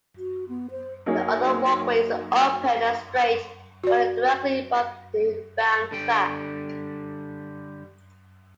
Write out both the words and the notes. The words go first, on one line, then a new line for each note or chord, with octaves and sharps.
The other walkway is open and straight, running directly above the inbound track.
F#4
B3
C5
F#3 A#3 D#4 G#4 C#5
F#4 D5
D3 G3 G5